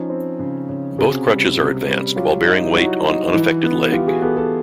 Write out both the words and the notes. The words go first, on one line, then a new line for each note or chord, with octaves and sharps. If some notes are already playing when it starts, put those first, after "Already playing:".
Both crutches are advanced while bearing weight on unaffected leg.
Already playing: F3 C#4 D#4
C4
C#3
C#3
C3 F#4 G#4
G3
C3
G3
F#3 F4 G4
D#4
F#3 E4 F#4
D#4
E3
B3
E3 F4 G4
F#4 G#4
B3 G4 A4
G4 A4